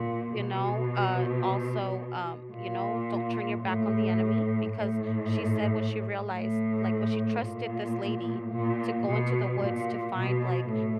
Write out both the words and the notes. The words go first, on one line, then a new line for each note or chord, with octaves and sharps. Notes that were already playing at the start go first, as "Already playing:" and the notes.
You know? Uh, also, um, you know, don't turn your back on the enemy, because she said when she realized, like, when she trusted this lady to go into the woods to find, like,
Already playing: A#2
B2
A#2
A2
A2
A2
A#2
A#2
B2
A#2
B2
A2